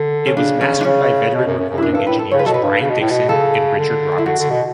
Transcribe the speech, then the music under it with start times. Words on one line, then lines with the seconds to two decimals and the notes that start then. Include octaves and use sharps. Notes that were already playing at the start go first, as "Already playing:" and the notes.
It was mastered by veteran recording engineers Brian Dixon and Richard Robinson.
Already playing: D3
0.27 C#4
0.36 C#3 D4
0.61 C#4
0.81 D4
0.85 C#3 C#4
1.34 B2
1.46 F#2
1.59 F#2
1.70 F#2
1.78 E4
1.82 F#2 D4
1.94 G2 A4
2.07 A2 B4
2.19 A4
2.31 C#3 C#5
2.39 B4
2.46 B2 A4
2.54 B4
2.63 G2
2.81 C#3
2.90 B2
3.01 A2
3.11 B2
3.29 C#3 A4
3.78 D3
4.18 E4
4.26 D3 F#4
4.39 D3
4.50 B2